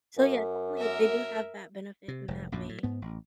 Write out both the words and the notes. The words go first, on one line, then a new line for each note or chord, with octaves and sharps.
So, yeah, definitely, they do have that benefit in that way
F#2
A#4 E5
C3
F1 G#2
A#1 F#2 A#2
A2
G#2 B3
A1